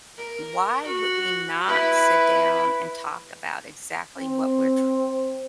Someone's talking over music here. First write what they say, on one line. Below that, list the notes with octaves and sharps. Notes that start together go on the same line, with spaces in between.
"Why would we not sit down and talk about exactly what we're tr
A#4
F#4
E4 B4
C4